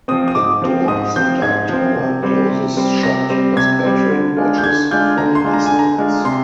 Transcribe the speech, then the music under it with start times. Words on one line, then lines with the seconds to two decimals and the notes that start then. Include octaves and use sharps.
The door of the Dark Tower closes shut as Patrick watches from a distance.
0.08 F3 C4 D#6
0.28 D#6
0.35 G#2 D6
0.62 F3 C4
0.88 G#2 D#6
1.16 F3 C4 G6
1.42 G#2 G#6
1.69 F3 C4
1.95 C3
2.23 G3 C4
2.50 C3
2.77 G3 C4
3.03 C3 A#6
3.30 G3 C4
3.56 C3 G#6
3.84 G3 C4
4.11 D3
4.37 G#3 D4 F4
4.58 G6
4.64 D3 G#6
4.91 G#3 D4 F4 G6
5.18 D3 A#5
5.35 C6
5.44 G#3 D4 F4
5.54 A#5
5.66 G#5
5.71 D3
5.79 A#5
5.98 G#3 D4 F4
6.24 C3 C6